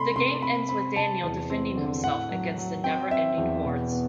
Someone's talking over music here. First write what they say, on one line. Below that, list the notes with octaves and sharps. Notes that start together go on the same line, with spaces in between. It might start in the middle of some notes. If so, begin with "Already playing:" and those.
The game ends with Daniel defending himself against the never-ending hordes.
Already playing: C3 A3 B5 C6
C3 C6
C4 B5
C4 B5
C3 A5
E2
C4
D3
A2 F#5
F#3
F#3
C4 G5
C4 E5
E2
B2
B3